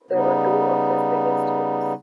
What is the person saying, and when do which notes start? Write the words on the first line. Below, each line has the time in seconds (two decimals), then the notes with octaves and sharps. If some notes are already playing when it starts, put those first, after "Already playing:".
They were two of his biggest hits.
0.11 C#3 G3 B3 D#4